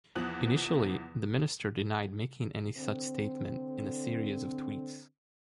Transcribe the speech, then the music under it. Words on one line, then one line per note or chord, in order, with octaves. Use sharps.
Initially the minister denied making any such statement in a series of tweets.
E2 E3 F3 D#6 F#6 F#7
D3 C4